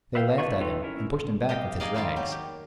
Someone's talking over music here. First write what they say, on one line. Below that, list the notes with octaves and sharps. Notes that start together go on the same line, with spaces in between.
They laughed at him, and pushed him back, with his rags.
B4 E5 F5 G5
E3 A#3 D4 B4 C#6
D#4 F4 G4 A4 B4
C#4 E4 A#4
G4 D#5 F5 G5
A#3 G4 G#4 D5 D#5 F5
D#3 G3 A#3 F4 D5
F#3 G4
G4